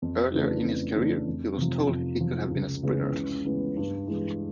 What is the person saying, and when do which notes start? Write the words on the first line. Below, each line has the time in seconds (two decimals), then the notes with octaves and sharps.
Earlier in his career he was told that he could have been a sprinter.
0.02 F2
0.33 C#3 E3 A3 D4
0.65 F2
0.96 C#3 E3 A3 D4
1.27 F2
1.58 C3 F3
1.89 F2
2.20 C3 F3
2.51 C#2
2.83 C#3 E3 G#3 B3
3.14 C#2
3.45 C#3 E3 G#3 B3
3.76 G2
4.07 E3 G#3